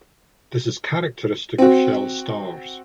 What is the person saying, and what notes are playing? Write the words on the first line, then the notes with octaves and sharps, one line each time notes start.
This is characteristic of shell stars.
C4 F#4